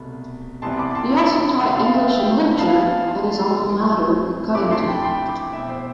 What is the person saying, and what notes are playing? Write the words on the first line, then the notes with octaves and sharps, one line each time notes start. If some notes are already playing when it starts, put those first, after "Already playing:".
He also taught English and Literature at his alma mater, Cuttington.
Already playing: C2 B2 A3 B5
C2 C3 E3 G3 B3 A5 C6
B5 D6
B5
A5 C6
G2 D3 G3 B3 A5 C6
F5 A5
E5 G5
E5 G5
B5
G2 E3 B3 F5 A5
A5 C6
F2 C3 E3 A3
G2 E3 A3 C4 B5 D6
A5 C6
C6
G5 B5
G5 B5
B5 D6
B2 B3 E5 G5
C5 E5